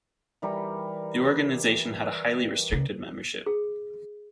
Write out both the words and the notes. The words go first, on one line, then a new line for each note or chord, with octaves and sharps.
The organization had a highly restricted membership.
E3 G3 A#4
C#3
G#4